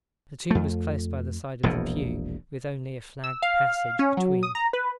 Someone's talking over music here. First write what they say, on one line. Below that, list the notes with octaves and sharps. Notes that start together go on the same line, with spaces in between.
The tomb was close by the side of the pew, with only a flagged passage between.
F2 A3
E1 A#1 E2 B2
E6
F5
C#4
F#3
D#6
A#5
B4